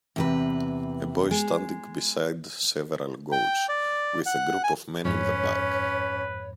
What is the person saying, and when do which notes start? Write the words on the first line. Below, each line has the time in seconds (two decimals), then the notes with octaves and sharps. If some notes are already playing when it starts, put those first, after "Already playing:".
A boy standing beside several goats, with a group of men in the back.
0.16 E2 C3 B4
1.31 G#3
3.32 G5
3.69 D5
4.26 F#5
4.64 G#5
5.05 F2 G#2 C#4 B4 C#5